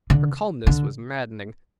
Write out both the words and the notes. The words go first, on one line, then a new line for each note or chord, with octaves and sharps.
Her calmness was maddening.
D3
D3